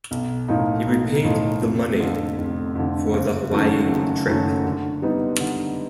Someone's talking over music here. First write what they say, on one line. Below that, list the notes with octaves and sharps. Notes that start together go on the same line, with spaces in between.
He repaid the money for the Hawaii trip.
B1
A2 F3 A#3 D#4
B1
A2 F3 A#3 D#4
F1
F2 D3
F1
F2 D3
F#1
F#2 D#3 F#3 A3
F#1
F#2 D#3 F#3 A3
D3
G3 B3 D#4
D3